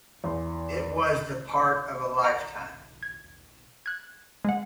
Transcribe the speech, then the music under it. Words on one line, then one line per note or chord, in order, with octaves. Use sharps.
It was the part of a lifetime.
E2 C6
F#5 A#5 A#6
G#6
F#6 G#6
G#3 F#5